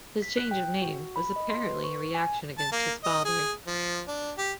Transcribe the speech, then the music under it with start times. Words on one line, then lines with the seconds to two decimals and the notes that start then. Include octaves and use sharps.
His change of name was apparently a reaction against his father.
0.22 B6
0.37 F#6
0.51 G5
0.82 F#4
1.16 B5
1.36 D#5
1.50 C6
1.67 B4
1.84 C#6
2.15 G#5
2.58 A5
2.72 A#3
3.04 D#5
3.25 G#4
3.67 F3
4.08 D4
4.38 G4